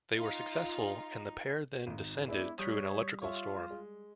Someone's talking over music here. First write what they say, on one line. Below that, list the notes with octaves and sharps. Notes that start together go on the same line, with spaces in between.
They were successful and the pair then descended through an electrical storm.
D#4 F4
G#1 D#4
G#3 B3 D4 E4
G3 C#5 D#6 G6 B6
F4 C#5 E5
G#3